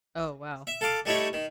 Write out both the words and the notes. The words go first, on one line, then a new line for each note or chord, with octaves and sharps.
Oh, wow.
E5
A4 F5 D6
G3 A3 D#4 E4 C#5
D#3